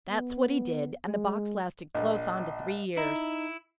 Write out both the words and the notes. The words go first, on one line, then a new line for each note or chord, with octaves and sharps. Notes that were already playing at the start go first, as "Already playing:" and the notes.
That's what he did, and the balk's lasted close on to three years.
B3
G#3
A#1 D#5
D#4 E4